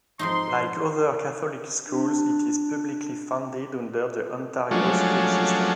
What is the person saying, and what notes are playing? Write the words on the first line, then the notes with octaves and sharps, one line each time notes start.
Like other Catholic schools, it is publicly funded under the Ontario school system.
F2 G#2 D#4 C6
D4
F3 F#3 G#3 A3 C#4 D4